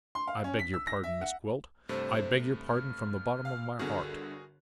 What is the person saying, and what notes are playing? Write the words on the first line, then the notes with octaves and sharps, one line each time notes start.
I beg your pardon, Miss Gwilt; I beg your pardon from the bottom of my heart.
C6
F5
C#4
B6
E6
A#6
E5
F#5
G2 C3 A3 C5
F6
F5
G1 D3 F#4 G#4 A#4